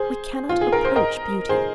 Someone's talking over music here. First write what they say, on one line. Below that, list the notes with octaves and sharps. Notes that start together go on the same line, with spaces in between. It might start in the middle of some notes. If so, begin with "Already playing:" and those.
We cannot approach beauty.
Already playing: G#4 C5
F4
G#4
A#4
C5
A#4 D#5
G#4 C5